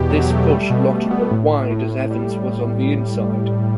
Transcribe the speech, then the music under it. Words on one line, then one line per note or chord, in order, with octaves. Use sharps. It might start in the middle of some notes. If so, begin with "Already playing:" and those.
This pushed Lotterer wide as Evans was on the inside.
Already playing: E2 B2 G4
F#3
A3
G3
B2
B2
B3
A2
A2
A2
A2
G3